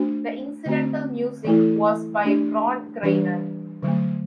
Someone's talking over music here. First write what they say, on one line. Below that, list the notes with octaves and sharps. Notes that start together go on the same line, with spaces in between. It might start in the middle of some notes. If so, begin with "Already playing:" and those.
The incidental music was by Ron Grainer.
Already playing: A3 D4 F#4 C5
D3 A3 C4 F#4
E3 A3 E4 A4
A3 D4 G4 D5
E3 G3 D4 G4 B4
D3 F#3 A3